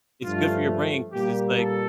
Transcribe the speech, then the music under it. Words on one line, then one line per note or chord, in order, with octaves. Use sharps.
It's good for your brain 'cause it's like
G2 F3 A3 F4
A#2 G3 A#3 G4
A4